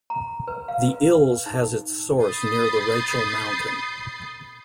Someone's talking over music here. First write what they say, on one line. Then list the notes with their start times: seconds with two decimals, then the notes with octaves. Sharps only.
The Ilz has its source near the Rachel mountain.
0.10 A#5
0.47 B4
0.68 F5
0.89 B4
1.46 D#4
2.22 B5 D#6 G6 A6 C7